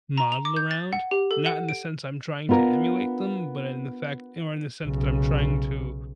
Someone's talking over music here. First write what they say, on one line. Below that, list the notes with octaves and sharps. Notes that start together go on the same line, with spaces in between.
model around. Not in the sense I'm trying to emulate them, but in the fact or in the sense that I'm trying to,
A#5
F7
D6
G6
A6
F#5
G4
A4
F#5
D7
B3 D4 F4 A#4
B1 C#3